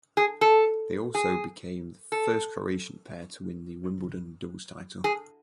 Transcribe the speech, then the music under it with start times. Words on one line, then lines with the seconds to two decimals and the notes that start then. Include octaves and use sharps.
They also became the first Croatian pair to win the Wimbledon doubles title.
0.17 G#4
0.41 A4
1.15 G#4
2.12 A4
5.04 G#4